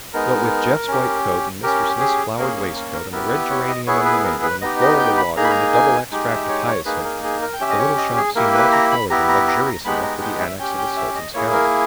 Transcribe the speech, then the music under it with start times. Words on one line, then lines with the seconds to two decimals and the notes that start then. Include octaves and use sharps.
What with Jeff's white coat and Mr. Smith's flowered waistcoat and the red geranium in the window and the Florida water and the double extract of hyacinth, the little shop seemed multi-coloured and luxurious enough for the annex of a Sultan's harem.
0.14 G#3 B3 D#4 A#4
0.88 C#4 G4
1.63 C#4 G4 A#4
2.00 G#4
2.38 A#3 C#4 G#4 A#4
2.57 G#4
2.75 A#4
2.94 A#4
3.12 B3 E4 G4 A#4
3.31 B4
3.50 C#5
3.68 D#5
3.87 B3 E4 G#4 C#5
4.05 B4
4.24 A#4
4.43 B4
4.61 B3 D#4 G4 D#5
4.81 D#5
4.99 G5
5.18 B5
5.36 A#3 D#4 G#4 A#5
5.44 B5
5.51 A#5
5.74 G#5
6.11 G#3 D#4 G4
6.30 E5
6.49 C#5
6.67 C#5
6.86 A#3 D#4 G#4 B4
7.05 A#4
7.24 G#4
7.42 A#4
7.53 G5
7.61 C#4 G4 E5
7.71 D#5
7.79 C#5
7.98 D#5
8.17 G#4
8.35 A#3 E4 G4 A#4
8.54 B4
8.72 A#5
8.91 B5
9.10 B3 E4 G4 A#5
9.29 A#5
9.48 A#5
9.66 A#5
9.85 G#3 B3 D#4 G4 B5
10.03 A#5
10.22 G5
10.41 E5
10.59 C#4 G4 G5
10.78 G5
10.97 E5
11.15 D#5
11.34 A#3 E4 G#4 C#5
11.53 A#4